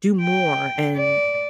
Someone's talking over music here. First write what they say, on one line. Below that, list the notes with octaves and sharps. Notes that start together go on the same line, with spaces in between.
do more and
G5
D5